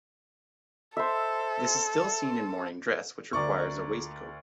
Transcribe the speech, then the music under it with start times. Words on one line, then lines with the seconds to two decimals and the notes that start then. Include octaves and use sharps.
This is still seen in morning dress, which requires a waistcoat.
0.97 A4 C5 E5
3.33 D2 A#4 D5 C#6